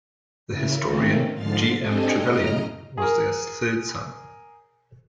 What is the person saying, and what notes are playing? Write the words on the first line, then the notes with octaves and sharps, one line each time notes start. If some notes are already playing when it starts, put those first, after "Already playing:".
The historian G. M. Trevelyan was their third son.
C#3 E4 A#4
D#3 A3 A#3 C4 C#4
G#2 D3 F3 F6 A6 C7
C4 D4 G4 A4 D#5 G#5
A2 C#3 D#5 A#5 F6
G#4 A#4